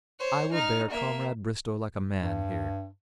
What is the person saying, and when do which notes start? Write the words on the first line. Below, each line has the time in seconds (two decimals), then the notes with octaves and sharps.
I will bear Comrade Bristow like a man here.
0.20 C5 C#5
0.53 D#4 F6
0.90 A#3 E5
2.23 G2